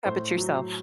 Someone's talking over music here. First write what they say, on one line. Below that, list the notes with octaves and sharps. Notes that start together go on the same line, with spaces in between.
How about yourself?
A2 C5
F#3